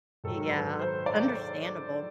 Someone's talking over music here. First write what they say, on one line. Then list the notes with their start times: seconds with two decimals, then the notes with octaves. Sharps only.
Yeah, understandable.
0.24 G#2 D#3 F#3 A4
0.40 A#4
0.51 B4
0.79 C5
1.06 D5